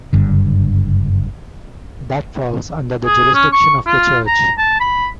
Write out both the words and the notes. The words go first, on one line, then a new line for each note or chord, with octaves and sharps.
That falls under the jurisdiction of the church.
F#1 G2 D3
G#4
C#4
C#6
F4
A#5
A5
B5